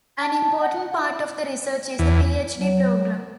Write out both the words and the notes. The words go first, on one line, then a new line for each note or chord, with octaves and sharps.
An important part of the research is the PhD program.
A5
F#5
E4
E2
F#3